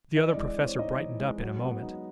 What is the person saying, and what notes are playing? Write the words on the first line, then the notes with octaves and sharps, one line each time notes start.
The Other Professor brightened up in a moment.
E3 D#5
D5
G#3
D5
C4
C#5
D#4 D#5
E3
G#3
F#3
B3
D#4